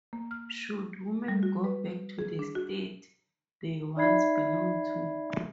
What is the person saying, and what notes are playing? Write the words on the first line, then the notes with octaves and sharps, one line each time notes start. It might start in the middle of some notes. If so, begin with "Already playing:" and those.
Should women go back to the state they once belonged to.
A#3
F6
G3
F#4
B4
G#4
D4
F#4
D#4 D5 E5 B5 G#6 C7